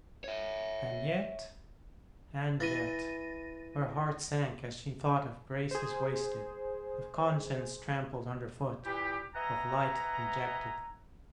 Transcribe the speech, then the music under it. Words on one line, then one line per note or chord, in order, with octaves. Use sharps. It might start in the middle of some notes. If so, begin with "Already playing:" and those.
And yet, and yet ... her heart sank as she thought of graces wasted, of conscience trampled underfoot, of light rejected.
C#5 E5
E3 A6 A#6 D#7
G#4 C5
A#2 E3 E4 G4
B4 D#5 E5 F#5 G#5 A#5